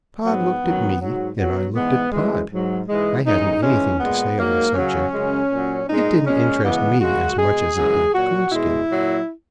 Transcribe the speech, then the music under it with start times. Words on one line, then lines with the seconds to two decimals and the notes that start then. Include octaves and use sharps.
Pod looked at me and I looked at Pod; I hadn't anything to say on the subject; it didn't interest me as much as it did Coonskin.
0.24 G#2 F#3 B3
0.61 F#2 D#3 F#3
1.00 G#2 F#3
1.37 B2 F#3
1.74 G#2 E3 G#3 B3
2.12 F#2 E3 G#3
2.50 G#2 F#3
2.87 G#2 E3 G#3
3.25 F#2 E3 G#3 D#4
3.63 G#2 E3 G#3 C#4
4.00 A#2 G#3 B3
4.37 G#2 F#3 A#3
4.75 F#2 C#3 F#3 C#4
5.13 F#2 C#3 G#3
5.51 A#2 F#3
5.88 A#2 G#3 D#4
6.26 A#2 G#3 C#4
6.63 F#2 C#3 E3 G#3 B3
7.01 F#2 C#3 G#3 F#4
7.38 B2 G#3 G#4
7.75 F#2 C#3 E3 G#3
8.13 A#2 F#3 F#4
8.51 B2 G#3 E4
8.89 A#2 F#3